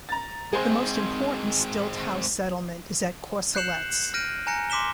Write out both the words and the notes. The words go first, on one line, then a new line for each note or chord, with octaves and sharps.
The most important stilt house settlement is at Corcelettes.
A#5 A6
G#3 C4 G#4 C5 C6
F#6 G6 C7 C#7 E7 F#7
F6 G6 A#6 D7 D#7
G#5 A#5 F#6 A#6 C#7
C6 D6 B6 E7 G7